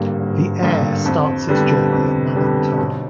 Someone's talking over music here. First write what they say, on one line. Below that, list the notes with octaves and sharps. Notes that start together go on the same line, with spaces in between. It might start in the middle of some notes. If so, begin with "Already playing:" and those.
The Aire starts its journey at Malham Tarn.
Already playing: G#1 G2 D3 G3 A#3
G#1
G2 D3 G3 A#3
F2
D3 G3 B3
F2
D3 G3 B3
B1